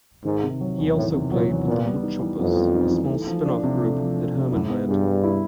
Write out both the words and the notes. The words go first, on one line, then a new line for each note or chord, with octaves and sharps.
He also played with the Woodchoppers, a small spin-off group that Herman led.
G#2 D#3
C3
F#3
E2
A2 D#3
C3
A#2 F#3
E2
A#2 B3
G3
D#4
E3
F2 B3
G3
D#4
E3
A3
F3
D4
C3
A3
F3
D4
C3
F#2 E4
B3
G2 G#4
G3
E4